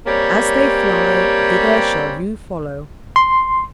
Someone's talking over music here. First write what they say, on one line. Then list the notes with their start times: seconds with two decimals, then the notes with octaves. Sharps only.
"As they fly, thither shall you follow."
0.06 G3 A#3 C4 C#4 G4 C#5
3.16 C6